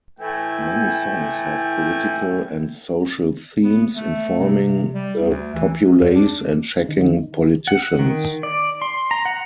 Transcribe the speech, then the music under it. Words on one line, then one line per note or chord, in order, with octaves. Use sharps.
Many songs have political and social themes, informing the populace and checking politicians.
A2 E3 A3 G5 G#5
B3
A3
C3
G3
D2
E3
F#2
E2
D4
D#3
F#5
D#3
D5
C6
A#5
F#5